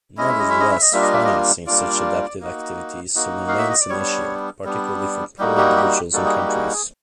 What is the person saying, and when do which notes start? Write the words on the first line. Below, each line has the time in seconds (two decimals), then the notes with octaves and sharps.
Nevertheless, financing such adaptive activities remains an issue, particularly for poor individuals and countries.
0.17 G#3 C#4 E4 D#5
0.29 E5
0.39 D#5
0.50 E5
0.60 D#5
0.71 E5
0.82 D#5
0.93 G3 A#3 D4 F4 E5
1.02 D#5
1.13 E5
1.25 D#5
1.67 G3 A#3 D4 F4 D5
2.41 A#3 D#4 F#4
3.15 A#3 D#4 F#4
3.48 F5
3.59 E5
3.70 D#5
3.80 D5
3.90 G3 B3 D4 C#5
4.65 G3 B3 D4
5.39 G3 A#3 D#4 F#4 G4
5.57 G4
5.76 G4
5.95 G4
6.13 G3 A#3 D#4 F#4 A4
6.25 G#4
6.37 G4
6.48 G#4